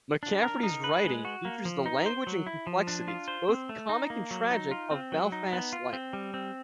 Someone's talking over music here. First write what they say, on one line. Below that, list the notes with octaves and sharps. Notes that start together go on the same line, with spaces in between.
McCafferty's writing features the language and complexities, both comic and tragic, of Belfast life.
D4
A#4
D#4
B4
G#3
F#4
A#3
F3
D#4
C5
F#3
E4
F3
D4
F4
C5
C4
A3
D#4
A#3
F#3
D#4
F4
C4
F#3
D#4
B3
F4
C4
G3
C4